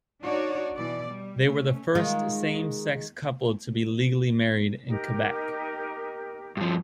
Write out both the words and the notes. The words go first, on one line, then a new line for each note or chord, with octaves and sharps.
They were the first same-sex couple to be legally married in Quebec.
D4 D#4 F#4 C#5 D5
B2 E3 D5
G3
A3 C#4
D#3 G#3 F4
D#4 G4 A#4
G2 F3